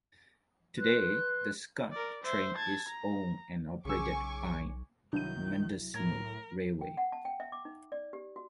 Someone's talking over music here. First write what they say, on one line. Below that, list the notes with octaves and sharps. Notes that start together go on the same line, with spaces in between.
Today the Skunk Train is owned and operated by Mendocino Railway.
B4 C6 F#6
A#4 D5
C5 E5
A5 G#6
A#5
B1 C#3 G#5 C#6 D6 E6
C2 D#3 F#3 D4 E4 G6 D#7
A2 A#4 G#6
G5
F#5
A5
G5
E5
D6
D#4
D5
G4
F#4